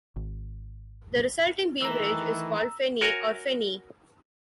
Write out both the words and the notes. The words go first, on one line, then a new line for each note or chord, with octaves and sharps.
The resulting beverage is called "feni" or fenny.
G#1
D#3 E3 A3 A#5 E6
F#4 A#4 C#5 G#5